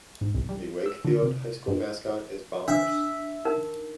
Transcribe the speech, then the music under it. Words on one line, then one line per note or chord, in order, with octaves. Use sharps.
The Wakefield High School mascot is Bombers.
G#2
C2
G3
E6
D3
C3
G2
D4 E5
D#4 A#4